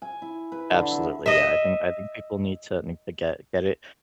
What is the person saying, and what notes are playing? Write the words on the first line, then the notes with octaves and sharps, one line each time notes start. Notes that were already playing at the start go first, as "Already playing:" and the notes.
Absolutely, yeah. I think I think people need to need to get get it
G#5
E4
B4
D3
E5
D#5 E5